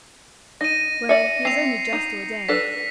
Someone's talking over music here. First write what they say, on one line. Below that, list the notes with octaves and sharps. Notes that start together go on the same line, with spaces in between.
Well, he is only just ordained.
D#4 A#6 D#7
D5 E5 C#7
C4 C7 F7
D#4
D4 A4 B4 B6